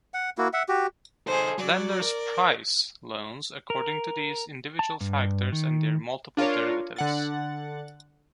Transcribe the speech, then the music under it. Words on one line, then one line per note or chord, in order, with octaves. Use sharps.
Lenders 'price' loans according to these individual factors and their multiple derivatives.
F#5
A#3 E4 F#4
E5 F#5
F#4 G4
D#4 G#4 A4 C5
F#3 D5
A#4
A#4
A5
G2
D#3
D4 F4 A#4 C#5
D3 F#5 A6